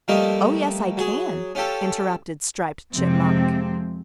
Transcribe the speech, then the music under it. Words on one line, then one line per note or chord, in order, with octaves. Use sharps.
"Oh, yes, I can," interrupted Striped Chipmunk.
F3 G3 A3 A#3 A#4 D#5
F#3 G#4
C#4 F4 G4 A4
F2 C3 F3 G#3 C4